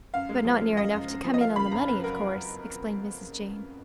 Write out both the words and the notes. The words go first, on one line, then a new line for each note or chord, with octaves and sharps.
"But not near enough to come in on the money, of course," explained Mrs. Jane.
F#2 F5
G#3
F3
G#3
F#2 D#5
F#2
F#2
F3
D#5
A#3 F5
C#3 B5
F2 A#5
C#3 B4
F#3 A#4